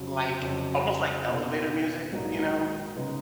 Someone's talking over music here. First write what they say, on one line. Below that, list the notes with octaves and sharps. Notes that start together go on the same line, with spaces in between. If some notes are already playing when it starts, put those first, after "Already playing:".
like almost like elevator music, you know,
Already playing: F2 C#3 F#3
F2 C#3 F#3
B2 A#3 F4
A#1 G#2 F#3 A#3 D#4
C#3 G#3 B3 D#4